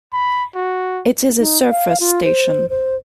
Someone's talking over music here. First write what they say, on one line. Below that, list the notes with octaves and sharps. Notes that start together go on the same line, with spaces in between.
It is a surface station.
B5
F#4
D#4
F5
F4
C5
C5